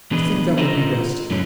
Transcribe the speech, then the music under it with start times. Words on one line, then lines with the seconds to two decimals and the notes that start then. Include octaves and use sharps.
I think that would be best.
0.11 E3 B3 D4 G#4 B4 D#5
0.58 F4 A4 A#4 C5 D#5 F#5
1.31 F#2 A2 D3 F#3 C#4